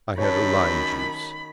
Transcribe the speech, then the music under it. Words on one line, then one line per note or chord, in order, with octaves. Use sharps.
I had a lime juice.
F#2 D#3 C#5 A5 B5